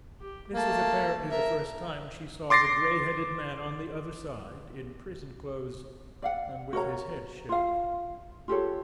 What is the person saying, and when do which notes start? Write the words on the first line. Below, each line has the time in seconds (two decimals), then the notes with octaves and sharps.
This was apparently the first time she saw the greyheaded man on the other side in prison clothes, and with his head shaved.
0.20 G4
0.53 A3 A#3 A5
1.30 A#4 E5
2.50 C6 D6 A6 A#6 C7
6.22 D5 F5 F#5
6.73 F#4 A#4 C#5 A#5
7.49 F4 F5
8.48 F4 G4 A4 C#5